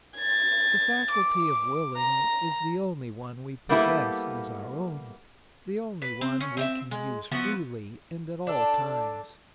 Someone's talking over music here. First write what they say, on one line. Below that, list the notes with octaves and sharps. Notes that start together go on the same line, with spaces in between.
The faculty of willing is the only one we possess as our own, the only one we can use freely and at all times.
G#6 A6
D6
A#5
G3 A#3 B3 E4 G4 A4
B4
C4
C#4
C4 D#5 E5
G#3
F3 B3 E4 F#4
D4 A4